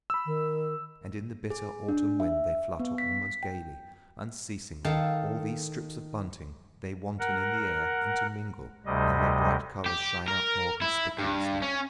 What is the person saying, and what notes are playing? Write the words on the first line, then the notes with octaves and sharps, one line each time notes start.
And in the bitter autumn wind they flutter almost gaily, unceasingly, all these strips of bunting, they wanton in the air, intermingle, and their bright colours shine out more conspicuously.
B5 E6
D#3
G#4
D4
E5
B3
B6
G5
D#3 A4 F5 A5
A#4 F#5
D2 C3 G3 D#5
G4
A#4
E4
G2
C#4